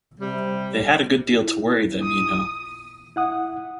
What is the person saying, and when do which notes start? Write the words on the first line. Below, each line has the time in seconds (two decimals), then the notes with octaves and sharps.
They had a good deal to worry them, you know.
0.21 C3 G3
1.31 E4 F4
2.02 D#6
3.16 E4 F#5 D#6